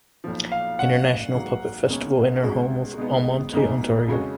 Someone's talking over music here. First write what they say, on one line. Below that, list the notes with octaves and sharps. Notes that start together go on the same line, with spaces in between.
International Puppet Festival in her home of Almonte, Ontario.
B1 A#2 F3
F5
A#2 F#3 C#4 F#5
G#1 G#2 F#3 A#3
C#2 B2 A#3 C#4
C#2 B2 G#3 D#4 F#4
B2 G#3 B3 D#4
B1 B2 A#3 D#4 G#4
F2 C#3 G#3 C#4 F#4